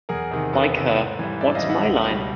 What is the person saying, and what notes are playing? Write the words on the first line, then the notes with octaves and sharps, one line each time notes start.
Like her What's My Line?
E2 G#4 A#4
C3 D#3
E2 A4 B4
C3 D#3
G#2
E3 G3
G#2 D5 E5
D#5 F5
E3 G3
E5 F#5
C#2
B2 G3